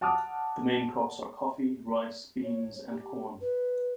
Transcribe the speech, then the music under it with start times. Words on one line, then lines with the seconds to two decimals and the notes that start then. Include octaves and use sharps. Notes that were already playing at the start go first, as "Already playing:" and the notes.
The main crops are coffee, rice, beans, and corn.
0.01 F#5 A5 D6 D#6 F6
2.44 C#5
2.92 G4
3.41 B4